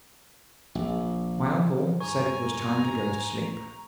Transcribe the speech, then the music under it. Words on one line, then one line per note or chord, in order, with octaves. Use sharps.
My uncle said it was time to go to sleep.
A#1
G2 G#5 A#5 C#6